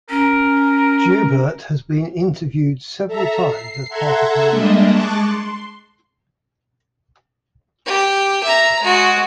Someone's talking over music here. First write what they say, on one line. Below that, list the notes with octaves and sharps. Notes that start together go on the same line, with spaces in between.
Joubert has been interviewed several times as part of her work.
C#4 A#4
A4 E5 A#5
C7
A4 E5 F#5 A#5 C6 G#6
G3 G#3 A#3 D4 D#5 E5
G#3 A5 C#6 D6 F#6
C6
G4
E5 A#5
G#3 F#4